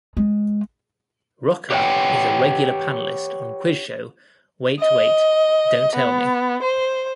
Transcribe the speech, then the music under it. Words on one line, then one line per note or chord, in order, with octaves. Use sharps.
Rocca is a regular panelist on quiz show Wait Wait... Don't Tell Me!
G#3
G4 B4 C#5 F#5 G5
D#5
B3
C5